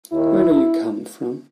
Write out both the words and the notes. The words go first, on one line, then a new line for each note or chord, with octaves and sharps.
Where do you come from?
D#2 D#3 E4